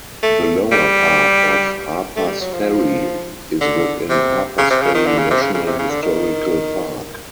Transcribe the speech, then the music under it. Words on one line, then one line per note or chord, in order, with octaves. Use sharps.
The lower part of Harpers Ferry is within Harpers Ferry National Historical Park.
A3
G3
A3
G3
F#3
F3
D3
C3
C#3
C3
C#3
D#3
D3
C#3
C3
C#3
C#3
C3
C#3
D3
D#3